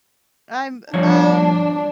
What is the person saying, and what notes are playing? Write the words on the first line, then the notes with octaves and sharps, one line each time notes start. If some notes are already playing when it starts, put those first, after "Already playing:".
I'm, um,
G2 F3 D4 C#5